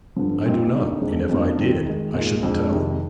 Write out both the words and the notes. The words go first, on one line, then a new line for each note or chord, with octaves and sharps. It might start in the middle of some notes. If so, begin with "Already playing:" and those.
'I do not; and if I did I shouldn't tell.'
G2 D3 F3
A#2 G3 C4 D#4
D3 G3 A#3 D#4
F2 D3 G#3
F2 D3 G3 A#3 D#4
D#3 G3 C4 F4
D#3 G#3 D#4
A#2 G#3 D#4
F2 D3 G#3
F2 C3 D#3 G#3